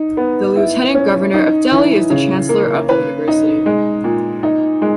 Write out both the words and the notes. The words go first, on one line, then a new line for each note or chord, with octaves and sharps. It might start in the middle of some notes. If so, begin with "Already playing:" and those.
The Lieutenant Governor of Delhi is the Chancellor of the university.
Already playing: D#4
B3
E4
C#4
D#4
E3
C#3
A#3
B4
D#4
G#3
A#2
D#4
G#3